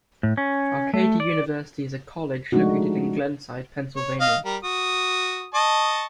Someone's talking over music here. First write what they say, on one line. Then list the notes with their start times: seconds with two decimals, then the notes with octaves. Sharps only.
Arcadia University is a college located in Glenside, Pennsylvania.
0.23 A2
0.37 C#4
0.94 A3
1.20 D5
2.52 F3 G#3 A3 D4 D#4 F#4
3.96 C#5
4.21 D#5 F5
4.45 G3 A#4
4.64 F#4 D#6
5.54 D#5 A5 C#6